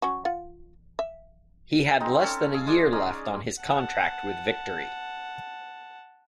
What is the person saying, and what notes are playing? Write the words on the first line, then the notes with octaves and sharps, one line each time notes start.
He had less than a year left on his contract with Victory.
F#3 C#4 F#4
F4 F#5
E5
G#3 C4 D#4
C#4 A4
G#4 F5
G#3 D5
C#4 D#4 D5
F#5 A5